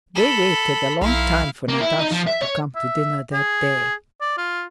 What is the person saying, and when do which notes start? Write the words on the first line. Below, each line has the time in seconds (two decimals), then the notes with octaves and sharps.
They waited a long time for Natasha to come to dinner that day.
0.15 A4 B5
1.02 B1 E4 F5
1.69 A#3
1.81 E4
1.99 D#4
2.12 F3
2.27 E5
2.42 C#5
2.76 E5
3.33 G#4
4.21 D5
4.38 F4